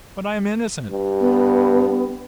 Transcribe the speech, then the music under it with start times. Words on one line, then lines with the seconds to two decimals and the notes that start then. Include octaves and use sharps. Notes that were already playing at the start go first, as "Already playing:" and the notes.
"But I am innocent."
0.91 G2
1.20 B3